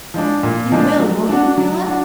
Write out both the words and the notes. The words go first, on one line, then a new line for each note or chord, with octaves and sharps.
You will, won't you, Marilla?
F3 G#3 D4
A#2
F3 G#3 D4
F#3
D4 F#4
F#3
D4 F#4